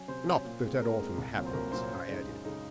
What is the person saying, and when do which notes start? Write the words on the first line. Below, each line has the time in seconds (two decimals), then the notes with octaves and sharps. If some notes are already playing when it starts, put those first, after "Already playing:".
"Not that that often happens," I added.
Already playing: F#3 C#4 G#5
0.08 C3 C5
0.26 F#3 C#4
0.45 A#2
0.64 G#3 C4
0.81 A#2 A#4
0.99 G#3 C4
1.18 C2
1.36 A#2 F#3 C4
1.46 C5
1.53 C2 A#4
1.72 A#2 F#3 C4 C5
1.83 C#5
1.91 F#2 C5
2.08 C#3 G#3 D#4
2.27 F#2
2.45 C#3 G#3 D#4